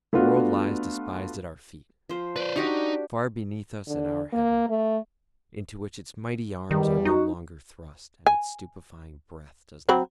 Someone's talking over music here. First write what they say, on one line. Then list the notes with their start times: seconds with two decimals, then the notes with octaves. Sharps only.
The world lies despised at our feet, far beneath us and our heaven, into which its mighty arms are no longer thrust and its stupefying breath does not come.
0.13 A3 B3 D4 F4 F#4
2.09 F3 C5
2.36 B4 C5 D5
2.56 D4 D#4 F#4 G4
3.88 D3
4.33 A#3
4.69 A3
6.71 E2 D#3 G3
7.05 D#4 F#4
8.26 G#5
9.89 F#3 C4 B5